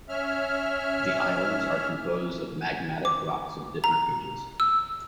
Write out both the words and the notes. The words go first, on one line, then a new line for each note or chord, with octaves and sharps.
The islands are composed of magmatic rocks of different ages.
C#4 E5 F6
D6
A#5
E6